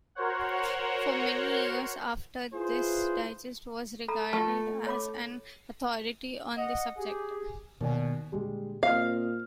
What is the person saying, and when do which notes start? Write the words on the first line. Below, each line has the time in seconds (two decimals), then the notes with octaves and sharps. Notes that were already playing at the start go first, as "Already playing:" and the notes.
For many years after, this Digest was regarded as an authority on the subject.
0.15 F#4 A#4 C5 C#5 F#5
2.54 E4 F4 G#4 B4 C5
4.08 A4 A#5 B5
4.33 A3 F4 A5
4.87 C#5 B5 D6
6.57 D#5 F#5
6.98 G4 G#4
7.81 D#2 B2 D5 G#5
8.32 A#2 D3 G3 G#3
8.83 A#2 C4 C5 D#5 F5 F6